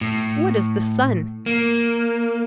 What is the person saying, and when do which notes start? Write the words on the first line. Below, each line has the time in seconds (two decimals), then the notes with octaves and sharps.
What is the sun?
0.01 A2
1.46 A#3